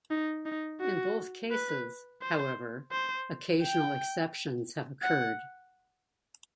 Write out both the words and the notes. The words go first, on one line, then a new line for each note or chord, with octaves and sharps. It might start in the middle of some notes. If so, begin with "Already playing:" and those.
In both cases, however, occasional exceptions have occurred.
D#4
D#4
F#4
B4
C5
C5
G5
F#5